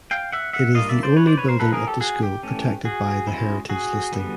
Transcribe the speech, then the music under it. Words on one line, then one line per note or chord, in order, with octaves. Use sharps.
It is the only building at the school protected by the heritage listing.
F5 G5
E5 F#5
E5 F#5
G3 A#3 D4 F4 D#5 F5
D5 E5
C5 D5
B4 C#5
C5 D5
B4 C#5
A#4 C5
F3 A#3 D#4 A4 B4
G#4 A#4
G4 A4
F#4 G#4
G4
E3 A3 C#4
F#4 G#4
G#3 C#4 E4
F#4 G#4
D3 G3 B3